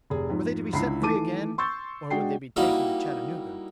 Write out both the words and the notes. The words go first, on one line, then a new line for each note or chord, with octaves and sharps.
Were they to be set free again, or would they be taken to Chattanooga?
F1 G#4
F2 G#2
C#2 D3 E4 B5 C7
D#3 E3 A3 A5 D6 D#7
C6 C#6 E6 G6 A6
G#3 D4 F#4 G5 C7
G3 A#3 D#4 E4 F#4